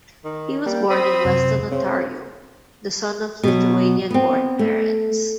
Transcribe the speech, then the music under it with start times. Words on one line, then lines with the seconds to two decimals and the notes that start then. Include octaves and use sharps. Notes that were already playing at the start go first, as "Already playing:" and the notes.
He was born in Weston, Ontario - the son of Lithuanian-born parents.
0.24 D#3
0.66 G3 A#3 G4
0.90 C4 B5 D#6
1.25 F#2 C3
1.72 C#3 C4
3.43 B2 F#3
4.11 B3 C4
4.59 A3